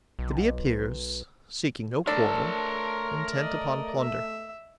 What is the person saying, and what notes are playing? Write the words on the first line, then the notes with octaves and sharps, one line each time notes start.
The Bee appears, seeking no quarrel, intent upon plunder.
B1
A3 D4 A4 A#4 C#5 A5 C6
D5 D#5
E5